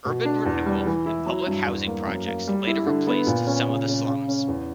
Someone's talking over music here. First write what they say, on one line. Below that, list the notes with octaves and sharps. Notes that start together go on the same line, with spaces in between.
Urban renewal and public housing projects later replaced some of the slums.
B2
D4
E2
G3
E3
E4
F#3
G2
E2
A#3
F#2
A#3
G3
E4
D3
B3
A#2
C#4
C#3
C#4
C#3
C#4
E2